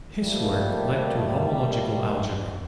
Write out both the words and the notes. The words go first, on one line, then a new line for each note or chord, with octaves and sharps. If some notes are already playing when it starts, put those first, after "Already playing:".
His work led to homological algebra.
D#3 F3 G3 A3 A#3